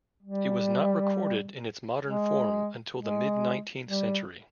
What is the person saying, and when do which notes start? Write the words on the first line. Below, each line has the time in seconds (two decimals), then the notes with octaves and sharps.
It was not recorded in its modern form until the mid-nineteenth century.
0.22 G3
2.05 G#3
2.97 G#3
3.88 G3